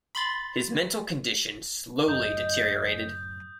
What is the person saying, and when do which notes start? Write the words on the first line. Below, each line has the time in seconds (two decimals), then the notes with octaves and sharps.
His mental condition slowly deteriorated.
0.15 B5 C6 A6
2.08 F#2 A2 C#3 D#5 D#6 G6